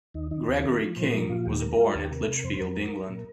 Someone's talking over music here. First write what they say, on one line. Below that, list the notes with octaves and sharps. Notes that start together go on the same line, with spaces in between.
Gregory King was born at Lichfield, England.
D#2 D#4
D#3 D#4
D#2
D#3 A#4
F3
A#2 C5
F3 A#4
A#2 F4
D#2 G4
G3 A#4
G3 F4
D#2 G4
C3 A#4
C3 A#4
A#4
F2 C5
F2 A#4
G3
G3
A#2